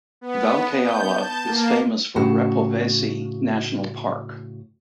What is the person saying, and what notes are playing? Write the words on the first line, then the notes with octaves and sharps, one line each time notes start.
Valkeala is famous for Repovesi National Park.
B3
G6
A5
A#3
A2 C#3 F#4 A5